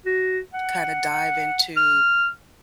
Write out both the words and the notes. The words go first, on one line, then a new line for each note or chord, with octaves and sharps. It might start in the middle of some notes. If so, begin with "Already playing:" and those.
kinda dive into,
F#4
F#5
F6